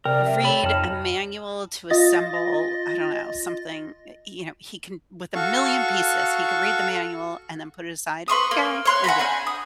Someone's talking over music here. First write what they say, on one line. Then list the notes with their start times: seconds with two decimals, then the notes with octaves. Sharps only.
read a manual to assemble, I don't know, something, uh, you know, he can with a million pieces, he can read the manual and then put it aside, "Okay," and do it.
0.05 C3 A#4 D5 G5
0.24 E5
0.44 A4 C#5 B5
0.63 F2 D#4 A5 F6
1.90 F4 D#5 A6 A#6
5.34 F#4 A4 F5 C#6
8.28 B4 C6 C#6 D#6
8.51 A#3
8.85 C#5 C6 F#6
9.04 F#5 G#5 A#5 B5
9.19 D4 G#5 G6
9.47 D#6